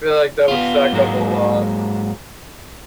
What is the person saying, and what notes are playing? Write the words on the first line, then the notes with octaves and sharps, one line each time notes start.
Feel like that would stack up a lot.
B3 F4
G#2 F#3 G#3 A#3